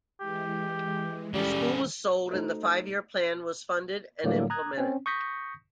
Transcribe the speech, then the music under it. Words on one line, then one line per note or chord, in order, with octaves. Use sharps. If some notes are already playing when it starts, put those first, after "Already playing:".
The school was sold and the five-year plan was funded and implemented.
E3 G#3 G4
C#3 G3 A4
A3 D#4 F#4 A4 C5 D#5
A2 D3 F#3 G3 A#3
A#5 D#6 F#6 G#6
C4 C#4
C#6 D#6 G6 A#6 B6 C#7